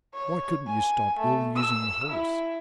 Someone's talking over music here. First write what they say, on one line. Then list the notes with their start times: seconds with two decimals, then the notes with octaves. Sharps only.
Why couldn't you stop ill-using the horse?
0.14 C#5
0.67 G#5
1.17 A3
1.55 E6
2.11 E4